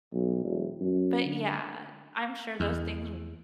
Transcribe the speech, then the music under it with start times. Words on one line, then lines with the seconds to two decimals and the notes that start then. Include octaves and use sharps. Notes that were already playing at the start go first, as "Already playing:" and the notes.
but, yeah. I'm sure those things w
0.13 B1
0.44 E1
0.80 F#2
1.25 D3
2.60 E2